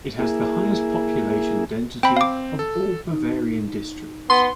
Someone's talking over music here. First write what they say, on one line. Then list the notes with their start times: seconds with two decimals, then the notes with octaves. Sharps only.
It has the highest population density of all Bavarian districts.
0.19 A#3 E4 G#4
2.03 C4 G5 B5
2.17 F5 D6
2.59 A4
3.11 D#4
4.30 B3 C6